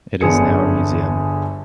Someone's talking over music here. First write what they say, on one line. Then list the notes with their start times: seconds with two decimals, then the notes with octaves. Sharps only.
It is now a museum.
0.21 G1 D3 G#4 C#7